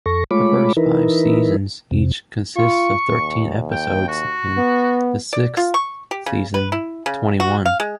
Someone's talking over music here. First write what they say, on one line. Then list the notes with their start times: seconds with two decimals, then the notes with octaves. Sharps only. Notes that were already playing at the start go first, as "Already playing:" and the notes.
The first five seasons each consist of thirteen episodes, and the sixth season twenty-one.
0.06 F2 A4 C#6 A#6
0.31 G#3 A3 F4 C#5 B5 D6
0.77 E3 D#4 E4 A#4 B4
1.91 F2 C3
2.56 F4 C#6
3.14 D#2
3.72 G5
4.08 F#4
4.57 B3
5.33 D5
5.57 F4
5.74 C#6
6.11 G4
6.26 C#3
6.54 B4
6.72 E4
7.06 C#3
7.40 F#4
7.65 F5
7.80 G#3